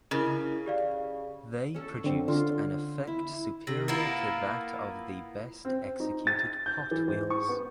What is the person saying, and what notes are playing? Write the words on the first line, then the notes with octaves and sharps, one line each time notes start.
They produced an effect superior to that of the best executed pot wheels.
C#3 E4 A#4 D#5
G4 D5 F5
C#4 A4
D3 C4
D3 F4
E4
C3
A#3 B3 E4 F4
C4
D#4
A6
G6
E3
G#2
C#6
B3